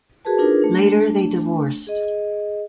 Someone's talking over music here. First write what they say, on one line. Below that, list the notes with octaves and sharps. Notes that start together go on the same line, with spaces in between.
Later they divorced.
F#4 G#4 A#4 B4 A5
D4 D#4 F4 G#4 A#4 B4
A3 D4
G#4 D#5